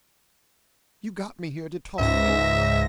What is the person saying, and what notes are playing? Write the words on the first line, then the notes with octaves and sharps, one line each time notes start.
You got me here to talk, and . . .
C#2 G#2 E5 A#6